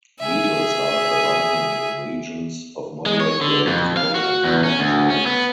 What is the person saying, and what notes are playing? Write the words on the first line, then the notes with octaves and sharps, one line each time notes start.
Beetles are abundant in regions of moderate rainfall and in wet zones.
G#4 E5
G#3
C#5
D3
F2
F5
F#4
E2
C#4
D2
C#4
B3